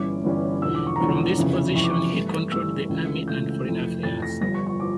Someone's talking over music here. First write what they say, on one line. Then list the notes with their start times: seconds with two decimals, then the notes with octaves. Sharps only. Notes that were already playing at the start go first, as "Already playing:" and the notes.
From this position he controlled the army and foreign affairs.
Already playing: G1 G2 E3 G3 C#4 D6
0.24 G1 G2 E3 G3 C#4
0.62 E1 E2 D3 F3 E6
0.75 D6
0.87 C#6
0.96 A#5
1.00 E1 E2 D3 F3 C#6
1.38 F1 F2 C#3 E3
1.75 F1 F2 C#3 E3 C#6
1.84 D6
1.91 C#6
2.13 G2 E3 A3
2.51 G2 E3 A3 E6
2.89 C#2 C#3 E3 A3
3.28 C#2 C#3 E3 A3 G6
3.66 F1 F2 E3 A3
4.03 F1 F2 E3 A3 A6
4.22 A#6
4.41 G1 G2 F3 A#6
4.54 C#6
4.66 C#6
4.80 F3 D6